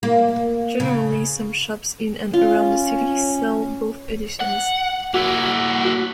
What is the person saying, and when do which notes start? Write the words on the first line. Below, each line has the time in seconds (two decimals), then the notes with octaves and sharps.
Generally some shops in and around the city sell both editions.
0.03 A#3
0.80 C#3
2.34 C#4 F4
4.40 F#5
5.14 A#3 E4 F#4